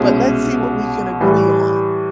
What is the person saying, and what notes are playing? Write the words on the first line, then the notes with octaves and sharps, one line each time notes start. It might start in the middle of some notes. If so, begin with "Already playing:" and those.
but let's see what we can agree on,
Already playing: C2 B2 G#3 C#4
A2 E3 G3